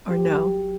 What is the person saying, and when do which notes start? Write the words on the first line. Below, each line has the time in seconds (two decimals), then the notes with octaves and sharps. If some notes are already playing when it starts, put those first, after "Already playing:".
or no?
0.10 G1 G4
0.26 F#3